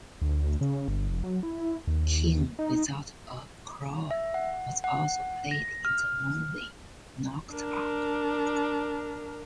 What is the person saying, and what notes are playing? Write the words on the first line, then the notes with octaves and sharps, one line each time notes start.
"King Without a Crown" was also played in the movie "Knocked Up".
D2
C#3
G1
F1
F#3
E4
D#2
D#4
E5
F#5
F#5
A#6
F6
D4 A#4